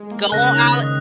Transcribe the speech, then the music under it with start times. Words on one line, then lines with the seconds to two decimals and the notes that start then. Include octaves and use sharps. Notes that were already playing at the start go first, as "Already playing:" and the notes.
Go on out
Already playing: G#3
0.11 A#3
0.32 C#3 F#6 A#6
0.52 D#3
0.73 D#3 D#6